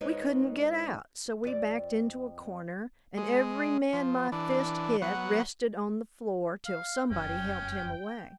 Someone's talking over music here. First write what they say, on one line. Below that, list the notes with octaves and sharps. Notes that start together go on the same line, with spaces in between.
We couldn't get out, so we backed into a corner; and every man my fist hit rested on the floor till somebody helped him away.
G#2 G#3 D#4 F4 B4 C#5
F2 D5
G#3
F3
E3 D4
F#3 B3 F#5
F5
F1 F#2 C#4 G5